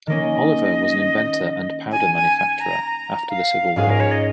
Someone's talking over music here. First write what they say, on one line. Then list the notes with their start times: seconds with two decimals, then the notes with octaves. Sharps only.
Oliver was an inventor and powder manufacturer after the Civil War.
0.07 D#3 A#3 C#4 D#5
1.92 G#5
2.15 G#5
2.37 G#5
2.60 A#5
2.84 A#5
3.29 F5
3.76 G#2 G#3 C#4 F4 G#4 F5
3.90 A#4
4.00 C#5
4.11 D#5